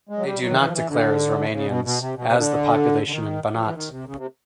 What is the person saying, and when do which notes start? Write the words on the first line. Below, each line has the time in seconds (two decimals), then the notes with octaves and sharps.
They do not declare as Romanians, as the population in Banat.
0.09 G#3
0.18 F#3
0.25 G3
0.41 F#3
0.50 D#3
0.57 E3
0.67 F3
0.73 E3
0.89 D3
1.52 C#3
1.68 B2
1.84 B2
2.00 C3
2.16 B2
2.27 C3
2.37 D3
3.07 D3
3.11 D#3
3.54 F3
3.65 E3
3.75 D#3
3.91 C3
4.07 C#3
4.17 C3